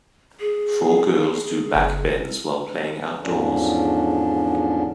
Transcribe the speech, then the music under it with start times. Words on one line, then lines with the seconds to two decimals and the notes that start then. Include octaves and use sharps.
Four girls do backbends while playing outdoors.
0.40 G#4
1.75 F#1
3.20 E2 G#2 D3 F3 C#4 D4